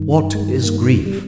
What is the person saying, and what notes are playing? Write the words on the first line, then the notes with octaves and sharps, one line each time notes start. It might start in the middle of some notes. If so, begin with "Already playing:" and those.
What is grief?
Already playing: G2 D#3
G#3
A#3
G3